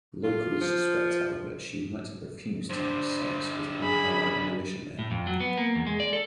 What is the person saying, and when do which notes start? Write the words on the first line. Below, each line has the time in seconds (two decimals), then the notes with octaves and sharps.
Locals suspect however she might have refused to have sex with Amhara militiamen.
0.24 F4
0.61 F3
2.70 G2 D3 C5
3.83 G#4 B5
4.99 A2
5.11 F2
5.27 F#3
5.40 B3
5.57 A#3
5.75 E2
5.87 G#3
6.00 D5
6.13 A4